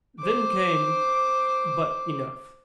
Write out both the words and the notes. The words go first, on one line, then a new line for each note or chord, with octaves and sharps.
Then came--But enough!
C5 D6